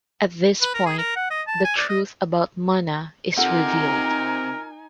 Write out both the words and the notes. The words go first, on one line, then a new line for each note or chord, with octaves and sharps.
At this point the truth about Munna is revealed.
B4
A#4
G#4
A#4
F#5
D#5
A5
G#5
D5
D#5
C3 D#4 F4 A4 A#4 F#5 G#5